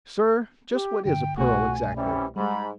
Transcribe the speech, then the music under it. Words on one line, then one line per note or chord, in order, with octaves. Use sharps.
"Sir, just what is a pearl exactly?"
G4
G2 D3 G5
C2 F2 B2 A3 F#4 G#5
C3 E3 G3 C#4
G#2 G3 G#3 B5